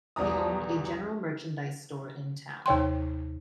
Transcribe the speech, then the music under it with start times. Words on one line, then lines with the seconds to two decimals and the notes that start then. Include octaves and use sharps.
He owned a general merchandise store in town.
0.16 B1 E2 G3 D5 A#5 D#6
2.66 D#2 C3 C#5 G5 C6